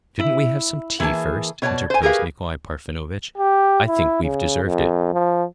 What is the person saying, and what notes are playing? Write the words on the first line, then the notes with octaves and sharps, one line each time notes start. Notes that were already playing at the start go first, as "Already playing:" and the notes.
"Shouldn't we have some tea first?" interposed Nikolay Parfenovitch, "I think we've deserved it!"
E4
E3 A#3 G#4 A5
B2 C#5 D5 A5
C5 G#5
G4 G#4 A#4 B4 F5
G4
E4
C#3
F2
F3